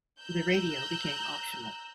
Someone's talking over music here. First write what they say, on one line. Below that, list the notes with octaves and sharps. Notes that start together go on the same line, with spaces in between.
The radio became optional.
A#5 E6 F#6 G6